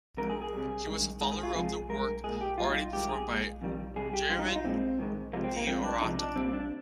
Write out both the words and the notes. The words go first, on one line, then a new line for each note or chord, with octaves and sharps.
He was the follower of the work already performed by Jeronim De Rada.
F2 D3 G#3 A#4
G#4
G#4
C3 G3
G2 D#3 G#3
G#2 D#3 G#3 G#4
G#4
F4
C3 F3 G#3 G#4
G2 D#3 G#3 A#4
A#2 G#3 G#4
G4
A#2 G3 F4
D#4
F4
G2 D#3 G#3 G4
G#4
A#2 G#3
F2 D#3 G3
C3 G3 G#4
G4
G2 F3 G#3 F4
D#4
F4
D#4
A#2 G#3 C4
G#2 D#3 G#3
F2 C3 F3 G#3 A#3
C4
A#3
G2 F3 G#3 C4
D4
C3 F3 G#3 D#4
D4
A#2 G3 C4
D4